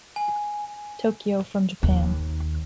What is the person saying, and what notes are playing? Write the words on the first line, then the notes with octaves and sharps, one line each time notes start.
Tokyo from Japan.
G#5
D#2